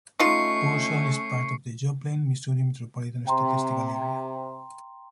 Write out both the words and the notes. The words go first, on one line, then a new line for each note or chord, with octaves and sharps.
Purcell is part of the Joplin, Missouri Metropolitan Statistical Area.
A3 C#4 D#4 F4 C#6 C7 C#7
C3 G5 A#5 C6